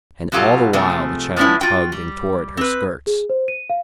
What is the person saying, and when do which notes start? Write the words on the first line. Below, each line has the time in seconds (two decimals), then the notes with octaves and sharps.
And all the while the child tugged and tore at her skirts.
0.32 B2 F#3 F4 G4 A4 A#5
0.73 C3 F3 A3 C4 G#4
1.36 F3 G#3 B3 C#4 D4 E4
1.61 F4 F#4 G5
1.92 G3
2.57 C4 B4
3.07 G#4
3.30 C5
3.48 D#7
3.70 F5